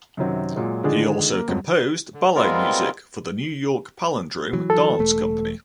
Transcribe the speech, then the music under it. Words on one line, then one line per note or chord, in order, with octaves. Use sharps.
He also composed ballet music for the New York Palindrome Dance Company.
F#2 C3 D#3 F#3 C4
A#2 F#3 G#3
D3 D#3 F3 G#3 D4 G#4
A#3
F2 G#2 F3 F#3
D3
G3 G#3 B3 C4 F4 A#4
E3 F#3
A4
E1 A3